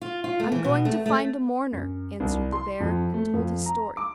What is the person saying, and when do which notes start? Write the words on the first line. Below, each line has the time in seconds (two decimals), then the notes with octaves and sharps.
'I am going to find a mourner,' answered the bear, and told his story.
0.02 F4
0.24 F4
0.40 A3
0.52 E3
0.64 B2
0.85 A3
1.06 A3
1.72 F#2
2.20 C2
2.52 C6
2.80 F2
3.14 A3
3.33 F2
3.66 A#5
3.97 D6